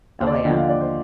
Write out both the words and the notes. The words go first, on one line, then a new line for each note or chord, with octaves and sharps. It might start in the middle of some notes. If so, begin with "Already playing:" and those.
Oh, yeah.
D#2 C5
D5
D#5
D3 F3 G5
F5
D#2 D5
C5